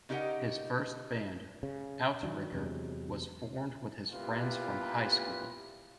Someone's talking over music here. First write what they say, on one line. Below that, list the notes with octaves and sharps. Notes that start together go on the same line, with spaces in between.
His first band, Outrigger, was formed with his friends from high school.
C#3 D#4 G4 A#4 D#5 F#5
C#3
D#3 F#3 D4
E2 C3 F#3 G#3
A#2 B3 E4 F4 G4 B4